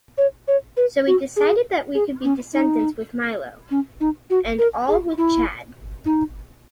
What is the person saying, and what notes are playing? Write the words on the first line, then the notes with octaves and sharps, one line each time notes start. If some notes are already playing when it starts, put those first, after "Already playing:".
So, we decided that we could be Descendents with Milo, and All with Chad.
C#5
C#5
B4
F#4
G#4
G#4
C#4
D#4
C#4
D#4
F#4
A#4
G#4
E4
D#4